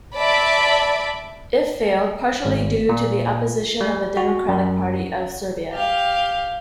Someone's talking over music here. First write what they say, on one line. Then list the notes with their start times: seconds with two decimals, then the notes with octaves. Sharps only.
It failed, partially due to the opposition of the Democratic Party of Serbia.
0.16 D5 E5 A5 B5 D6
2.45 G#1
2.89 A#2
3.81 G3
4.17 F#4
4.48 F#2
5.72 G4 F5